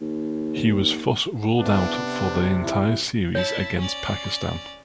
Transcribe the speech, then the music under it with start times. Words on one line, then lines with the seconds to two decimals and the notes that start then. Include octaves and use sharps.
He was thus ruled out for the entire series against Pakistan.
0.01 D#2
1.59 C#3 F3 B3 D4 E4
2.03 C3
2.64 E4
3.35 E4 C#5 A5
3.78 C#4 D5